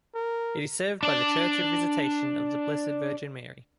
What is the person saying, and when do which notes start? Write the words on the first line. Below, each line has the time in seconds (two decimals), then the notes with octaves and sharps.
It is served by the Church of Visitation of the Blessed Virgin Mary.
0.15 A#4
1.03 D4 D5